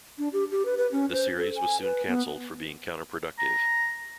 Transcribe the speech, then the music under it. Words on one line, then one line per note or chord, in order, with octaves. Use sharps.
The series was soon cancelled for being counter productive.
D4
G4
G4
B4
B4
C#4
C5
A4
G#5
B4
B3
A#5